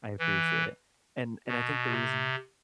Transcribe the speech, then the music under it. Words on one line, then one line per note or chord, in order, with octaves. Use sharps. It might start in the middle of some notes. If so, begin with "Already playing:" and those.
I appreciate it. And and I think the reason
E3
B2
C3